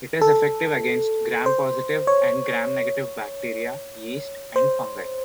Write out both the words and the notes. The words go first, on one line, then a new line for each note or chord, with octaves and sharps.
It is effective against gram-positive and gram-negative bacteria, yeast, and fungi.
A4
C5
C#5
C5